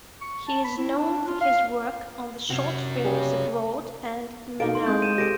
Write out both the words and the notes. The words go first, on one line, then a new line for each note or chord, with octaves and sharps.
He is known for his work on the short films "Abroad" and "Manara".
C#6
A5
B5
E4
D4
F4
F5
C3 C#4 F#4
C#3 G3 G4 G#4
B2 D#4 A4 F5 D7
A#3 E4 C6
G#3 C4 D4 G#4 D#6 G6
D#7 E7
G4 A4 C5 A#6 D7